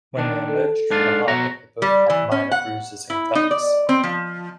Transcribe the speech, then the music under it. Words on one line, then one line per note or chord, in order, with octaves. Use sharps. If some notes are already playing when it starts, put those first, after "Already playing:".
When they emerged from the harbour they both had minor bruises and cuts.
D#3 D4
A4
G#2 D4 F4
B2 F#4 A#5
G3
E3
C#4
F#5
E4
D#4
D5
C4
F3